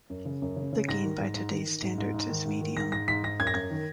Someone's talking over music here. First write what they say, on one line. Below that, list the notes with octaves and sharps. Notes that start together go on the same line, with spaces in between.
The gain by today's standards is medium.
F#2
C#3
F#2
C#3
C#3
G#2 A#6
D#3
G#2
G#2
D#3
D#3
G#2
G#2
G#2
D#3
G#2
D#3
G#2 A#6
G#2 A#6
G#2 B6
G#2 A#6
F#2 G#6
A#6
F#2 G#6
D#3